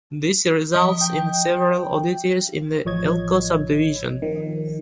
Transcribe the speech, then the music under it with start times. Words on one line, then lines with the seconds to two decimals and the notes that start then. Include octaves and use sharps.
This results in several oddities in the Elko Subdivision.
0.73 F3 D#5 D#6
1.01 G5
2.85 A1 F3 C#5 D#5 G#6
4.22 D#3 F3